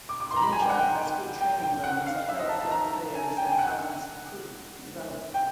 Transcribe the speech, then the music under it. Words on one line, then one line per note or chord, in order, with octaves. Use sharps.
Rilindja has good training grounds that help young players and talents improve and develop.
D6
D6
C6
A#5
B5
G#5
G5
F#5
G5
G5
G5
F#5
F5
E5
D#5
A5
A5
A#5
A5
G#5
G5
G#5
G5
F#5
G5